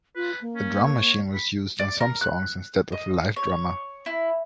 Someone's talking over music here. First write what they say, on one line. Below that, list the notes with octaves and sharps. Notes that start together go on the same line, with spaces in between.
A drum machine was used on some songs instead of a live drummer.
F4 B4
A#3
C#4
C#5
B5
D5
A#4
F#6
D#5
C#5
E4